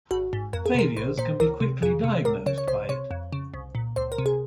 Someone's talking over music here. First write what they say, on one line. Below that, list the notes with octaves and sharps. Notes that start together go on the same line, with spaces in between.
Failures can be quickly diagnosed by it.
G#1 F#4
G#2
F2 A#4
G#4
C3 A#4
A#1 C5
A#2 C5
C#2 A#4
C3
F2 G#4
C3
C#2 A#4
C#3 C#5
C#5
C2 C5
C3 C#5
F2
C#3
C2
A#2
C#2 C5
A#4
C3
G#4